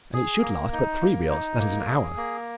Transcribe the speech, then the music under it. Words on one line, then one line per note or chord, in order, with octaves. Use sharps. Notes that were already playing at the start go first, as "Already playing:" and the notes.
And it should last but three reels, that is, an hour.
G#4
A#3
D#4
A#3
D#4
A#3
G#4
A#3